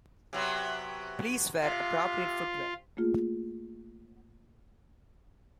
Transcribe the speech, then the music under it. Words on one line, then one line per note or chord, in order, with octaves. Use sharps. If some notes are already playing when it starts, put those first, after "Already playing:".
Please wear appropriate footwear.
C3 F#3 B3
C3 F4
A3 A#3 F4 G#4